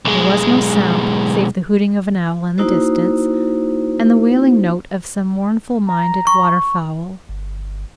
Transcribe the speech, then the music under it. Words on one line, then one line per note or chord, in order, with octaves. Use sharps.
There was no sound save the hooting of an owl in the distance, and the wailing note of some mournful-minded water-fowl.
B1 G#3
A#3 D#4 E4 F#4 C5
A#5
C#6
G1